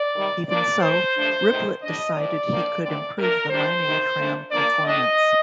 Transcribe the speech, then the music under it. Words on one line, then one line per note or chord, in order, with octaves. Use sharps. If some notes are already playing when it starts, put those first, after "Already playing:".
Even so, Riblet decided he could improve the mining tram performance.
Already playing: D5
C3 D#3 G3
A#2 F3 A#3 D4 D5
A2 A3 C4 C5
G2 F3 A3 D4
D2 C3 D#3 A3
A2 G3 D4 D#5
A2 F3 C4 D5
A2 F3 A#3 D4
D#2 D3 A3 C4 D5
A#2 A3 D4 A#4
A2 G3 D4 C5
D2 C3 D#3
A#2 A3 D4
G2 F3 A#3 D4 D5
A2 A3 D4 D#5